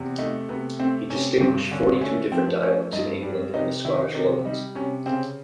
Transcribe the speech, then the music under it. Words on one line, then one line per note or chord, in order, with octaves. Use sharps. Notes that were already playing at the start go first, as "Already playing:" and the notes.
He distinguished forty-two different dialects in England and the Scottish Lowlands.
Already playing: E2 C3
A3 D#4
C3 B3
A3 C4
C3 C#4
G2 C4
D3 C#4
A3 C#4
F3 C4
A3 C#4
G2 D#4
G3 D4
C3 D#4
D#3 E4
C3 D#4
G3 D#4
C3 C#4
C#3 C4